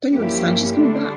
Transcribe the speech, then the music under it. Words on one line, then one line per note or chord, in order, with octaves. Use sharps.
Don't you understand, she's coming back!
G2 F3 A#3 C#4 E4 G4
A#3
D3 G3 A3 D4